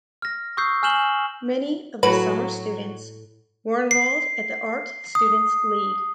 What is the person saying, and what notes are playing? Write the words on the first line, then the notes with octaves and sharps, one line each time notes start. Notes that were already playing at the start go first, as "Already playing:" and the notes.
Many of the summer students were enrolled at the Art Students League.
F6 A#6
C#6 D#6 E6 G6 C7
G#5 F6 G6 E7 F#7 G7
A2 F#3 B4
C7
D#6